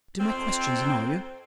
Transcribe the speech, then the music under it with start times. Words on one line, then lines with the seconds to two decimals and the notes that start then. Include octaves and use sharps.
"Do my questions annoy you?"
0.20 F2 C4